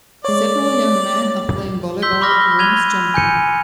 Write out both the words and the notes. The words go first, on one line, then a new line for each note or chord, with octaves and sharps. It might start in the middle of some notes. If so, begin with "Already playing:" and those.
Several young men are playing volleyball one is jumping.
G#3 C#5 D5
C6 E6 G6 B6 G7
B5 C#6 D6 F6 A#6
F#6 G#6 D#7 F7 G7
G#5 G6 C#7 D#7